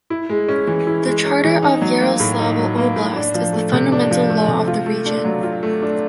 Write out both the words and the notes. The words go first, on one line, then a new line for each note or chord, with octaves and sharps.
The Charter of Yaroslavl Oblast is the fundamental law of the region.
E4
G#3
C#4
E3
E4
G#3
C#4
E3
D#4
F#3
A#3
A2
D#4
F#3
A#3
A2
D4
F3
A3
C3
D4
F3
A3
C3
F4
A3
D4
F#3
F4
A3
D4